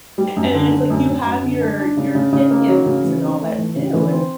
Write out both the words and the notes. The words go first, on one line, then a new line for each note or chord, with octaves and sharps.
and it's, like, you have your your opinions, and all that too, and
G3
F#2
D3
D3
F#2
F#2
F#2
D3
D4
D4
C#3
C#3
C#3
A#3
F#3
C#3
E3
C4
A3
E3
C#3
E3
C4